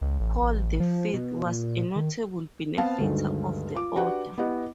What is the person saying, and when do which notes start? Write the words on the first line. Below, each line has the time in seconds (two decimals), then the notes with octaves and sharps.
Paul the Fifth was a notable benefactor of the order.
0.01 C#2
0.20 A1
0.42 A1
0.80 F3
1.14 B2
1.45 A#2
1.96 D#3
2.77 B3 C4 B4 F5 A5
2.98 D2 G2 D3 D#3 G#3 A3
3.75 F4 D6
3.96 D4 F#4 G4 B4 F#5
4.38 B3 E4 G4 D#5 F#5